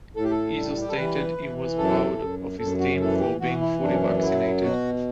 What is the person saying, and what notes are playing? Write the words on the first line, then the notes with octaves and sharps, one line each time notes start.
Izzo stated he was proud of his team for being fully vaccinated.
A2 A4
G4
A4
G3
G4
A4
E3 B4
E3
F#2 A4
F#2
F#2 A4
F#4
E3 A4
G4
E3 F#4
E4
F#2 D4
C#4
D4
F#3 E4
B2 F#4